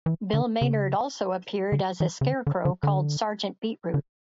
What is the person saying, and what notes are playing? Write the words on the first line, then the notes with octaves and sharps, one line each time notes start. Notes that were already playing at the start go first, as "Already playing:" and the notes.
Bill Maynard also appeared as a scarecrow called Sergeant Beetroot.
E3
D3
C#3
D3
E3
C#3
D3
D3
D3
D3
D3